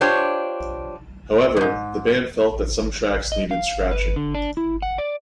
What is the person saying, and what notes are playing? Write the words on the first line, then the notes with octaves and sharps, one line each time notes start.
However, the band felt that some tracks needed scratching.
D4 F4 G4 C5 C#5
F2 G#2
D#5
F5
B4
D3
D4
E4
F#5
D5